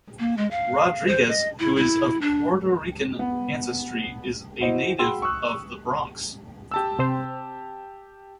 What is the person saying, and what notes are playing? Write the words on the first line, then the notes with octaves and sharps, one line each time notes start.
Rodriguez, who is of Puerto Rican ancestry is a native of the Bronx.
A#3
G#3
F5
C5
D#5
E4
E4
D4
B3
E4 F#4 C5 D#5
F#4 G#4 G5 B5 C6 E6
C#6 D#6 E6 F#6
G4 A5 E6
C3 C4 C5